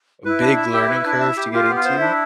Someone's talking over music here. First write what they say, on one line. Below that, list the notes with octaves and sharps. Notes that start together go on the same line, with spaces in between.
a big learning curve to get into
E4 B4
D4
E5
G4
B4
D4
E5
G4
F4 G4
B3 F4
C5
E4
D4